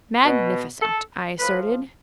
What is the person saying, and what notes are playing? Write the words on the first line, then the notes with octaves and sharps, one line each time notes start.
"Magnificent!" I asserted.
B2
A4
A2 F3 B4